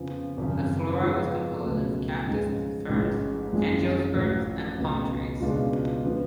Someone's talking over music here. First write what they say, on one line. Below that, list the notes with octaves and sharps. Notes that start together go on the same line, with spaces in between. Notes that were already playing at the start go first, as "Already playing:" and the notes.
The flora was composed of cactus, ferns, angiosperms, and palm trees.
Already playing: F2 C#3 F3 B3
G#1 F#2 C#3
G#2 F3 G#3 B3 F4
C#2 B2 F#3 A3
G#2 F3 G#3 C#4
A1 G#2 G#3 C#4
G#1 F#2 F3 G#3
A1 A2 F3
C#2 B2 A3
C#2 B2 G#3 D4 F4
D3 F3 B3